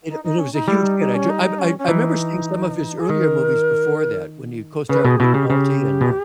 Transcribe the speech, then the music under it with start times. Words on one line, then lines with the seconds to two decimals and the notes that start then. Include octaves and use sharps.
It, uh and it was a huge hit, I ju I I 'member seeing some of his earlier movies before that when he co-starred with Nick Nolte and um
0.08 D#4
0.24 D#4
0.38 C#4
0.53 D#4
0.68 G3 E4
0.83 D#4
0.99 D#4
1.14 C#4
1.29 D#4
1.58 C#4
1.78 C#4
1.88 E3 D#4
2.99 G#4
3.09 D#3 A#4
4.89 C#3 B4
5.05 B2 G#4
5.20 B2 E4
5.34 C#3 G4
5.50 C#3
6.01 B2